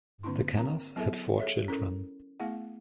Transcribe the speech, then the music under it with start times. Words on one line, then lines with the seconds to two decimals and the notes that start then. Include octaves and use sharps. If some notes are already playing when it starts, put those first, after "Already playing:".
The Kennas had four children.
0.23 D3 A#3 C4 D4 E4 C6
0.57 C4 A#4 A#5
0.96 F#3 B3 E4 G#4 A4 E5
1.38 G#4 A4 C#5 E5 F5
1.68 C#4 E4 A4 A#4
2.40 A3 B3 E4 G#4 F5 F#5